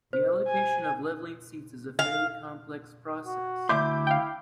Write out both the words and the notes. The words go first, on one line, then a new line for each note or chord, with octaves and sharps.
The allocation of leveling seats is a fairly complex process.
C5
G#5
F5
F#4
D2 E4 E5 C6 D6 G6
F5 G5